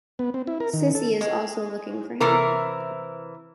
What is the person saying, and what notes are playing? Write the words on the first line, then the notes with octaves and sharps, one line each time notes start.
Sissy is also looking for him.
B3
C4
E4
A#4
D#3
A4
G#3
C3 E3 A#4